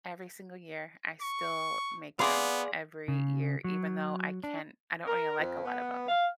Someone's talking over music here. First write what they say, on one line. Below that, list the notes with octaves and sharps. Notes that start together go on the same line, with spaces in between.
every single year. I still make them every year, even though I can't I don't really like a lot of 'em.
C#6
B3 G#4 D5 F5 C6 D6
C#3
F#3
D4
A#4
F2
B3
F5